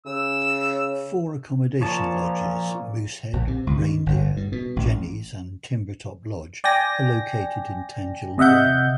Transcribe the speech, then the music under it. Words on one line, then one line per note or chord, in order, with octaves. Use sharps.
Four accommodation lodges, Mooshead, Reindeer, Jenny's and Timbertop Lodge, are located in Tanjil Bren.
C#3 E6
A#2 F3 C#5 A5
A#1
C3
C#2
D#3
G1
G2
B2
A1
D5 G5 G#5 A#6
C3 D#5 E5 F#5 G6